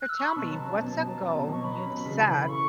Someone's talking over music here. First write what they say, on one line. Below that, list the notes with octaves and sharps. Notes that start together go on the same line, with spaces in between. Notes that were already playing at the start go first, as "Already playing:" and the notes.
So tell me, what's a goal you've set
F#6
E6
C#6
B5
B2 A5
F#3
C#4
B2
B2
F#3
C#4
B2
B2 C#6
F#3 B5
C#4
B2
C#3
E3
C#4 B5
A4 C#6